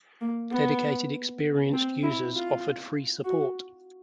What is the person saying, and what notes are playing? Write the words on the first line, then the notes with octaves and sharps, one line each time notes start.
Dedicated experienced users offered free support.
A#3
B3
C4
E4
F4
F#4